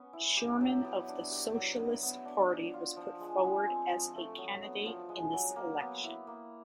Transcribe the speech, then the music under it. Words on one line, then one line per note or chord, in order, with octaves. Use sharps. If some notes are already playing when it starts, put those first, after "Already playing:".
Sherman of the Socialist Party was put forward as a candidate in this election.
Already playing: B3 C#4
E4
G4
F#3
B3
D4
G4
F#3
B3
B3
D4
D4
F4
F3
G#3
G#3
C4
F3
A3
F#3
B3
F3
G#3
F#3
A#3
B3
E4
A#3